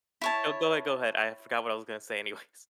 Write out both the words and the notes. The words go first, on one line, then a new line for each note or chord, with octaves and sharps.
No, go ahead, go ahead. I forgot what I was gonna say anyways.
E4 C#5 A5